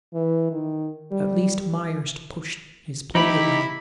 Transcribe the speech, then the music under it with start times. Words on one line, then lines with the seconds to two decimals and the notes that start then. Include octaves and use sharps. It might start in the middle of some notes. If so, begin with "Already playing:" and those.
At last Myerst pushed his plate away.
0.13 E3
0.51 D#3
1.11 G3
3.15 E3 A3 D#4 E4 G4 B5